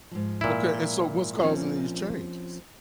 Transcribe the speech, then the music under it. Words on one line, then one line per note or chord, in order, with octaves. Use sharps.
Okay, and so what's causing these changes?
G#2 F3
A#2 E4
F3 C4 C#4